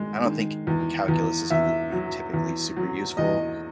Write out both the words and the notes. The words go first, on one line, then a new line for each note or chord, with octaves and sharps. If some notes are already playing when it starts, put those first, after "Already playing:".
I don't think calculus is gonna be typically super useful.
Already playing: D#3 G#3
D#3
E2
E2
E2 E5
F#3
E2
F#3
E2 D#5